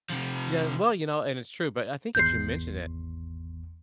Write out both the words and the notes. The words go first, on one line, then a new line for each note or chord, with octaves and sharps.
yeah, well, you know, and it's true, but I think that you mentioned it.
C3 F3
G#1 E2 C6 G6 C7